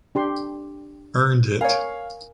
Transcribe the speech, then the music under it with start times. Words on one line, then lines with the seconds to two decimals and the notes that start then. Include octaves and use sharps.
Earned it!
0.15 D4 G4 C6
1.61 A#4 C#5 F5 G#5